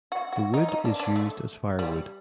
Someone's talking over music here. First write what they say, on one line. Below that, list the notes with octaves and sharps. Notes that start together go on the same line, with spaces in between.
The wood is used as firewood.
F#4
F#4
D#4
D#4
D4
D4
A3
G3